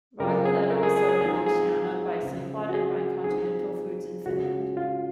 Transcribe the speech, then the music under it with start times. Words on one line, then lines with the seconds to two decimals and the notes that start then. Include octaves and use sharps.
Raguletto is sold in Oceania by Simplot and by Continental Foods in Finland.
0.20 C#3 F#3 C4 F4 A#4
0.45 G#4
0.70 A#4
0.83 G#4
0.96 G#4
1.09 G#4
1.21 F3 G#3 C4 D#4 G#4
1.47 G#4
2.23 C#3 F3 C4
2.69 F#4
2.74 G#4
3.24 F3 C4 D#4 G#4
4.26 C#3 G#3 C#4 F4 F#4
4.77 F4